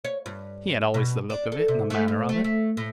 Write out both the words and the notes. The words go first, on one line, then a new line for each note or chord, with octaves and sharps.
'He had always the look of it, and the manner of it.'
C#5
G2
B2
D4
A4
C3
A3
G#2
A3
A3
A2